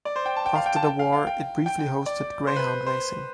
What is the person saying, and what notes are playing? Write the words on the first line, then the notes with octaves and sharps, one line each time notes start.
After the war, it briefly hosted greyhound racing.
D5
C5
G5
A5
G5
F5
G5
A5
G5
F5
F5
G5
G5
G5
D5
C5
B4
C5
C5